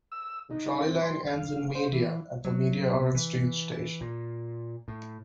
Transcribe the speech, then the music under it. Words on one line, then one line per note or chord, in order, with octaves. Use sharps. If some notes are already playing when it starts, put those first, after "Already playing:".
The trolley line ends in Media at the Media-Orange Street station.
E6
D#4
C4
C6
F5
C5
E3
F#3
B2
E3
A#2
A2